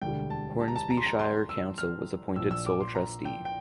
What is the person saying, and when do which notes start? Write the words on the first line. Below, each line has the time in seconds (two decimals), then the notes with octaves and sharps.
Hornsby Shire Council was appointed sole trustee.
0.02 E1 D2 D3 G3 G5
0.30 A5
0.60 A5
0.68 A#5
0.76 A5
0.90 A#5
0.97 C6
1.06 A#5
1.19 C6
1.49 E6
1.78 F6
2.36 A#1 A#2 F3 E6
2.51 E6
2.66 D6
2.81 C6
2.95 A#5
3.25 G5
3.45 G5